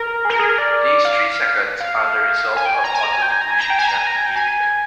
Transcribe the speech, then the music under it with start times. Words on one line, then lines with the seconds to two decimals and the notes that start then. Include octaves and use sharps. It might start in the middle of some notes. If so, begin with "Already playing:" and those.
These three seconds are a result of the autonegotiation behavior.
Already playing: A#4
0.25 G#4
0.30 A#4
0.39 G#4
0.49 A#4
0.58 D5
1.05 F5
1.80 F5
2.57 G#5
2.65 G5
2.74 G#5
2.84 A#5
2.94 G#5
3.03 A#5
3.13 G#5
3.22 G5
3.32 G#5
3.41 A#5
3.51 G#5
3.60 A#5
3.70 G5
3.79 G#5
3.88 A#5
3.97 G#5
4.07 A#5
4.16 G#5
4.26 G5
4.36 G#5